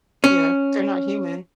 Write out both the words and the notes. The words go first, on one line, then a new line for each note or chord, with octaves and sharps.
Yeah, they're not human.
C#4